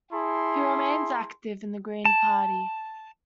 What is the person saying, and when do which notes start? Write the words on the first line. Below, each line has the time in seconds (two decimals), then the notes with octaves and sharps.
He remains active in the Green Party.
0.13 E4 G#4 A5 C6
2.05 A5